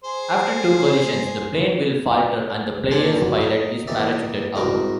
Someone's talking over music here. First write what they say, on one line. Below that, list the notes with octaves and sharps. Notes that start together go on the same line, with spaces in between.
After two collisions, the plane will falter and the player's pilot is parachuted out.
G#4 C5
A#2 D4 F4 G#5 A5
G2 F#3
D#4
E3 A#3 D#4 G4 D5 E5
C2 G#2 D#4 F#4 A#4 D6